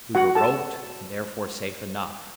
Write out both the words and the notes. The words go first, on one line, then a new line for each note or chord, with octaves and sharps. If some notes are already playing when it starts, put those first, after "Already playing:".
We were roped, and therefore safe enough.
F#4 F#5
A4 A5